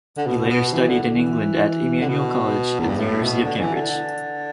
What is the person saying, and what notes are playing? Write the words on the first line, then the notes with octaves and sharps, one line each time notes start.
He later studied in England at Emmanuel College at the University of Cambridge.
D3
B2
B2
E3
D3
D3
E3
D3
B2
E2
G2
A2
B2
D3
E3
D3